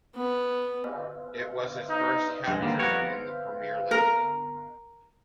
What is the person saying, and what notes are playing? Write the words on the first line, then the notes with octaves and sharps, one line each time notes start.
It was his first hat-trick in the Premier League.
B3
D#4
G2 G#3
D#2 D3 G3 A#3
F2 G3 B3 F#4 A#4 C#5
A#4